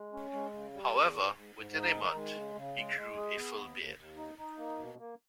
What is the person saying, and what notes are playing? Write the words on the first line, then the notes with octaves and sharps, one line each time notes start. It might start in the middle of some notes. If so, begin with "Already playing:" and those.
However, within a month, he grew a full beard.
Already playing: G#3
C#4
G#3
C#3
G3
E2
G#2
G#2
G#2
D#4
D#3
G#3
C#3
C#3
G#3
G#3
G#4
B3
D#2
D#2
D#2
D#4
D#4
A#3
B2
A#3